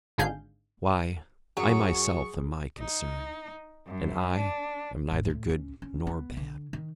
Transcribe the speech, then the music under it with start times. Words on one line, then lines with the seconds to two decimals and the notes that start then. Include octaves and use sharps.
Why, I myself am my concern, and I am neither good nor bad.
0.18 G#1 G#2 D3 G#4 F5 G6
1.57 F#2 F#3 G#4 C#6 D#6
2.79 D#4
3.87 F#2
4.36 D4
5.11 G#1
5.30 A2
5.50 C#4
5.82 C#4
6.07 B3
6.37 D3
6.73 D#3